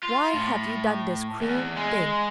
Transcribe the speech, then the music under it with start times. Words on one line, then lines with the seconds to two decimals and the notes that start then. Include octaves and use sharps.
"Why have you done this cruel thing?"
0.03 F4
0.34 A2
1.41 E2
1.76 G#3